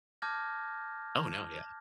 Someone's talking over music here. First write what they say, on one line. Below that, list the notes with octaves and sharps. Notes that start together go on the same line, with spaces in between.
Oh no, yeah.
A5 D6 F6 G6 G#6 A#6